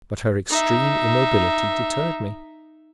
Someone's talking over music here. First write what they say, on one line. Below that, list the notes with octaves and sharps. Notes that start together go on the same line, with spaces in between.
But her extreme immobility deterred me.
D#4 E5